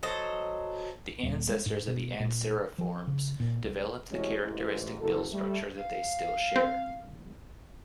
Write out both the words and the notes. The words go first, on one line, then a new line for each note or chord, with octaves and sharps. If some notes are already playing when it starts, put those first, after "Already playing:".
The ancestors of the Anseriformes developed the characteristic bill structure that they still share.
F#3 A4 C5 D#5
D#1
G#3
G#2
B2
A#2
F3
C#3
A#2
C2
C3 E3 F#3 G#3 A3 C#4
A1 G#2
F#1 A4
G3 A3
F5
C4